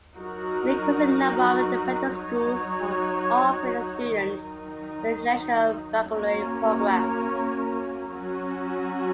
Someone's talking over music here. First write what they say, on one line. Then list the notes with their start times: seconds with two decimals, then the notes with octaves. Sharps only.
An increasing number of independent schools are offering their students the International Baccalaureate Programme.
0.15 F#3 D#4 F#4 A#4
2.14 F#3 D#4 F#4 C#5
4.12 D#3 F#3 D#4
6.10 A#3 C#4 F#4 A#4 C#5
8.09 F#3 C#4 F#4